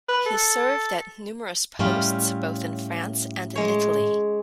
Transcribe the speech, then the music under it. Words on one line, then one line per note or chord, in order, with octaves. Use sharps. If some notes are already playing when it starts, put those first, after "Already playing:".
He served at numerous posts both in France and in Italy.
B4
A4
A2 G3 C#4 F4
G#3 C#5